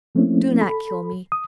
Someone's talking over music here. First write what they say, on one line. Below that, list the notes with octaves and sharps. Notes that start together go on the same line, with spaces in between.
Do not kill me.
F3 A3 A#3 C4 C#4 E4
A4 B5
D#6